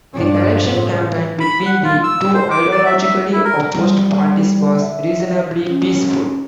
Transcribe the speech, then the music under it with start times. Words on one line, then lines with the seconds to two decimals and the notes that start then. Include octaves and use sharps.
The election campaign between the two ideologically opposed parties was reasonably peaceful.
0.13 G2 F3 D4
0.62 A2 C#3
1.40 B5
1.66 F#5
1.84 F4
2.03 E6
2.34 C5
2.51 D6
2.72 D5
2.86 E5
3.01 E5
3.33 E4
3.45 A#4
3.74 G3
4.80 E5
5.69 C#4